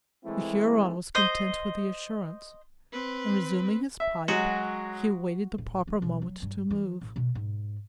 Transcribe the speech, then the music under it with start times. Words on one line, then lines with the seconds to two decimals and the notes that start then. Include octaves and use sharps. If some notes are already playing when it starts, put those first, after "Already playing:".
The Huron was content with the assurance, and, resuming his pipe, he awaited the proper moment to move.
0.25 E3 G#3 A3 C4 E4
1.15 C5 D#5
2.92 C4 B4
4.00 E5
4.28 F#3 G#3 F#4
5.58 A1
5.87 D#3
6.02 B1
6.22 F#3
6.42 G2
6.70 E3
7.01 A1
7.16 B2
7.35 G#2